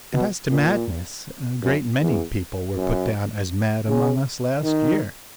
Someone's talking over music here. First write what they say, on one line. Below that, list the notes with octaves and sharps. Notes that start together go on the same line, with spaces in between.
And as to madness, a great many people were put down as mad among us last year.
B2
A#2
F#2
E2
F#2
C#3
D#3